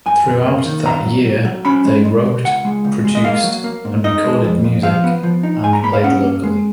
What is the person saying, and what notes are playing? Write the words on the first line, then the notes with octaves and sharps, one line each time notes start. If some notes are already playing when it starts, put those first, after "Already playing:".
Throughout that year they wrote, produced, and recorded music, and played locally.
F#2 G#5
F#2
A#3
D#3
F#2 A#5
F#3
F#3
F#3
C#4 B5
G#3
G#3
B2
C#2 F#5
G#3
C#2
G#3
D#5
A#3 F5
F#3
A#3
G#2
D#4 D#5
G#3
F2
F2
F3 F5
B3
F3
D#4
G#2 G#5
A#5
A#3 B5
F5
C#4 F#5
A#3
G#3